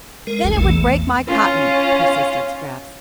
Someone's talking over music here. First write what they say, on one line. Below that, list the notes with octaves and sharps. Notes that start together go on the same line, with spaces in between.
"Then it would break my cotton," persisted Scraps.
G#3 A#4
F#3 C#4 G#4
A#1 E2 E3 A3 B3
C#4 F4